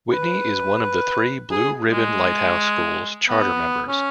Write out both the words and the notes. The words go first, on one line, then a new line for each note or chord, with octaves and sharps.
Whitney is one of the three Blue Ribbon Lighthouse Schools Charter Members.
B4
G#4
G#3
B3
C#4